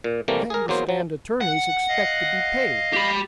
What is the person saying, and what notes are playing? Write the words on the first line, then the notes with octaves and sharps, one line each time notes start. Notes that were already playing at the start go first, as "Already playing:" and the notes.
"I understand attorneys expect to be paid."
A#2
C3 E3 G3 A3 A#3
G#4 A#4
E2 F#3 A#3 C5
F#3
F#5
D#5 F5
G4 B5